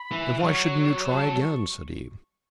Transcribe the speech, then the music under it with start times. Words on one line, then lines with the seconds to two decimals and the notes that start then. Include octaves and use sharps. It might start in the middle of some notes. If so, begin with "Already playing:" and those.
"And why shouldn't you try again?" said Eames.
Already playing: B5
0.12 E3
0.44 F#3 C#6
1.08 A5
1.42 C#6